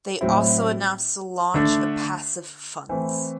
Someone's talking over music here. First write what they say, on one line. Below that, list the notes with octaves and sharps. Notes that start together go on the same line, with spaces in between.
They also announced the launch of Passive Funds.
A2 F#3 C4 E4
D3 A3 D4
E3 A3 C4 E4